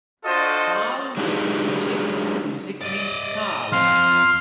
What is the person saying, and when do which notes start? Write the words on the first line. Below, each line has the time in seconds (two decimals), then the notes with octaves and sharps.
"Taal" means music and music means "Taal".
0.25 D4 F4 F#4 A4 C5 D#5
1.17 F#3 G#3 D4 D#4 G4 G#4
2.81 D5 D#5
3.72 F3 C4 C6 F6